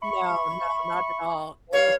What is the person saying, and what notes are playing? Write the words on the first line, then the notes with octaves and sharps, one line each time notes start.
No, no, not at all it was
E5 B5 C#6
G2 C#5 F5